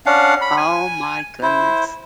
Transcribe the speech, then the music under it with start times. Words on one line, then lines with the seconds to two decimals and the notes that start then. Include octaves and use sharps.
Oh my goodness.
0.06 C#4 D4 F5 F#5
0.41 B5
0.57 G#5
1.43 E4 C5